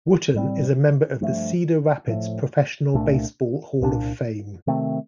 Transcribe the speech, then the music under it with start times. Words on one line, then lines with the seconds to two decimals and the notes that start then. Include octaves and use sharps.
Wooten is a member of the Cedar Rapids Professional Baseball Hall of Fame.
0.34 A2 G3 C4
1.21 G2 F3 A3
2.08 A2 F3 A3
2.94 C2 A#2 A3 D4
3.81 C2 A#2 G3 D4
4.67 C3 D#3 A3 C4